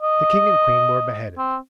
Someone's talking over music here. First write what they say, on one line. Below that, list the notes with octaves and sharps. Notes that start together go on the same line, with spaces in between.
The king and queen were beheaded.
D#5
C4